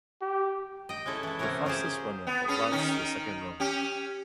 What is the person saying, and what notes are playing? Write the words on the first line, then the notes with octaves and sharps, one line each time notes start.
The fastest runner advanced to the second round.
G4
D#5 G5
G#3 C#4 E4 A4
E3 A4
C3 A3 B3 C#4 A#4
C#4 F4 G4 G#4 C5
B3
C#4 G#4
D#3 C#4 D#4
C#4 G4